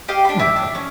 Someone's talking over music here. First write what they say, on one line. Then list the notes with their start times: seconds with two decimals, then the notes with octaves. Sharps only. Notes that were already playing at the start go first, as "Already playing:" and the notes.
Yeah, no.
0.08 G4 D#5 F5
0.25 D4 B5
0.39 E4 D6
0.56 D4
0.75 C#4